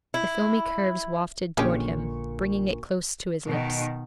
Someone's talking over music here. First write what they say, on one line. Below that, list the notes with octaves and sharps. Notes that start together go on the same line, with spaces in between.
The filmy curves wafted toward him, bringing it close to his lips.
E4
A#1 A#2 D3 G#3 C#4 G4 C#6
B2 D#3